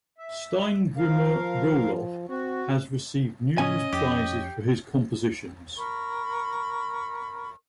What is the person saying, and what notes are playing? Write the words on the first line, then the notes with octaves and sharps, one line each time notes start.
Steingrimur Rohloff has received numerous prizes for his compositions.
E5
F3 A#4 F5
C4 F#4
A2 C#3 C#4 D#5 G#5
F2 G4
A#4 B5 C#6